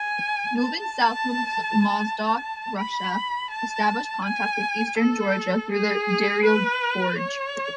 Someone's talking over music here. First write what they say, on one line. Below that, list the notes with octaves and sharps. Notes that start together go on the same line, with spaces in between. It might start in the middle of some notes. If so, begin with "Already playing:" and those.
Moving south from Mozdok, Russia established contact with eastern Georgia through the Darial Gorge.
Already playing: G#5
A5
B5
A5
G#5
A4
G#4
B4
C#5